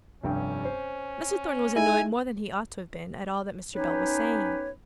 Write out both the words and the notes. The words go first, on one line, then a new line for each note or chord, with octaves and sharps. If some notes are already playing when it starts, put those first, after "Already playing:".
Mr. Thornton was annoyed more than he ought to have been at all that Mr. Bell was saying.
F1 G2 C#4 G5
C5
G#3 D#4 E4 G#5
B3 C#4 D#4 G4 B4 C#5